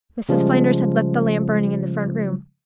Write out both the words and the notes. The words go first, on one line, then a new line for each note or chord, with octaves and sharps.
Mrs. Flanders had left the lamp burning in the front room.
C#3 F3 G3 G#3